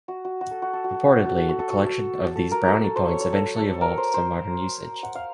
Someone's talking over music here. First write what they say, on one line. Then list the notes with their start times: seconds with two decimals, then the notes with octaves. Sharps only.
Purportedly, the collection of these "brownie points" eventually evolved into the modern usage.
0.08 F#4
0.25 F#4
0.41 F#4
0.51 A4
0.62 F#4
0.73 A4
0.84 F#4
0.94 A4
1.06 F#4
1.16 A4
1.27 F#4
1.38 A4
1.49 F#4
1.59 A4
1.70 F#4
1.87 A4
2.35 A4
2.51 A#4
2.64 A4 A#4
2.84 A4
2.96 C5
3.08 C#5
3.20 C#5
3.33 A4
3.57 A4
3.81 A#4
3.98 C5
4.14 C5
5.03 F#5
5.15 F5